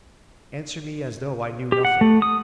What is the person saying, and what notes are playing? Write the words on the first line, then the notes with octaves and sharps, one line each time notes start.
"Answer me as though I knew nothing."
G4
F#5
A3
D#6